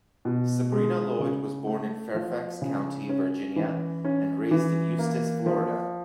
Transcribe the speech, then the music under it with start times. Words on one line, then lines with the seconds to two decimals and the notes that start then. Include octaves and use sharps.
Sabrina Lloyd was born in Fairfax County, Virginia, and raised in Eustis, Florida.
0.25 B2
0.72 G#3
1.20 C#3
1.67 A3
2.15 F3
2.62 C#3
3.09 C#4
3.56 E3
4.04 C#4
4.51 E3
4.99 A#3
5.46 F3